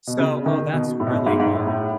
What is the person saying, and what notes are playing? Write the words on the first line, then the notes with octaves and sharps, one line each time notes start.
So, oh, that's really hard.
B2
C#3
D#3
B2
A2
B2
A2
G#2
G#2
A2
A2